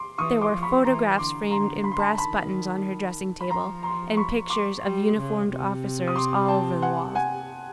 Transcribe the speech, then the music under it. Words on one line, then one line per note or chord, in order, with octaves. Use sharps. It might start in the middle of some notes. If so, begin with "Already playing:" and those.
There were photographs framed in brass buttons on her dressing-table, and pictures of uniformed officers all over the walls.
Already playing: C6 D6
E3 C#6 D#6
C6 D6
F3
B5 C#6
E3 A#5 C6
D3 C6 D6
D3 A#5 C6
B5
C6
A5 B5
D#3 A5 B5
B5
F3 A#5 C6
A#5 C6
B5 C#6
C6 D6
G3
C#3
C3
D#6
C6 D6
G5 A5
F#5 G#5
F#5 G#5